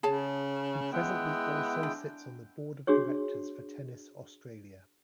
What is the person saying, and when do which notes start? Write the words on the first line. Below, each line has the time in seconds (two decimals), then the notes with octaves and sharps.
He presently also sits on the Board of Directors for Tennis Australia.
0.03 C#3 G#4 C#5 A5
0.92 G#3 B3 E4 G5
1.83 D4
2.87 D4 F#4 G#4 C#5